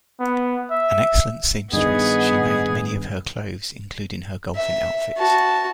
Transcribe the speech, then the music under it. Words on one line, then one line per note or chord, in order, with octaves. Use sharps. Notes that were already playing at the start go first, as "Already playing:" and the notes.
An excellent seamstress, she made many of her clothes, including her golfing outfits.
B3
E5
G2 D#3 B3 G#4 D#5
E5
F#4 A5